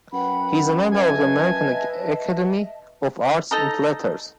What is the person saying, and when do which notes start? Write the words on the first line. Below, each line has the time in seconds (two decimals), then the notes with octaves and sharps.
He is a member of the American Academy of Arts and Letters.
0.12 F#2 B4 F#5 G5 B5
0.92 B4 D#5 E5 G#5 A5
3.51 D#4 A4 D#5 A#5